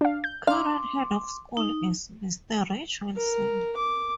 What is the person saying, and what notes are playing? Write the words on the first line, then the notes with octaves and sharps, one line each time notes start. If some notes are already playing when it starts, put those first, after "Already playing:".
Current Head of School is Mr. Rich Wilson.
D4 F5
G6
D4 F5 C6 D6
D#4
A#4
D6